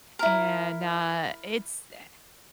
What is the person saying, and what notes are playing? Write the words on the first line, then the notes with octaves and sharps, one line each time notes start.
and, uh, it's eh,
E4 A#4